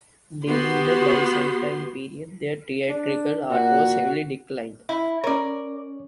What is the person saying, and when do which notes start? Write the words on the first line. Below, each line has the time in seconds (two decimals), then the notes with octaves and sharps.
During the Byzantine period, the theatrical art was heavily declined.
0.47 B3 F#4 G4 C6
2.89 D4
3.50 A#2 F#4
4.89 E4
5.24 C#4 A#4 C#5 D5